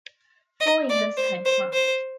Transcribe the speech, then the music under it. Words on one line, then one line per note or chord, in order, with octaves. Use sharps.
Four years had passed.
D#5
D5
C5
C5
C5